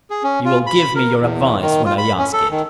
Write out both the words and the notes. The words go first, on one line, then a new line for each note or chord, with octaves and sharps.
You will give me your advice when I ask it.
G#4
C#4
F4
B5
A#4
E2
D#3
F4
B5
C#4
A4
D#3